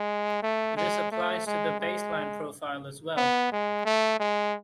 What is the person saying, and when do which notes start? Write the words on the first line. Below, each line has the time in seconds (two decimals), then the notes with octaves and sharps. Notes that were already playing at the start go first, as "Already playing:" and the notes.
This applies to the Baseline Profile as well.
Already playing: G#3
0.42 A3
0.77 G#3
1.11 A3
1.46 G#3
1.80 G#3
3.17 B3
3.52 G#3
3.85 A3
4.20 G#3